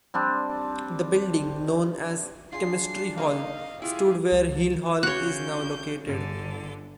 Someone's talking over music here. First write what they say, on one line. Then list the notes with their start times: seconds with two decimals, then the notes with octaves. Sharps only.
The building, known as "Chemistry Hall," stood where Hill Hall is now located.
0.14 G3 C4 D4
2.53 D4 F4 G#4 C7
3.18 A#3 D#4 D#5 F5
3.82 E4 F4 G4 G#4
4.32 C#2
5.03 C#3 F#4 C#5 F#6 G6
6.07 G1 D3